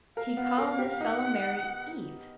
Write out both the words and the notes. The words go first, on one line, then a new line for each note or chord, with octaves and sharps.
He call him this fella Mary, Eve.
A#4 F5
B3
A#4
G4
D#4 F#5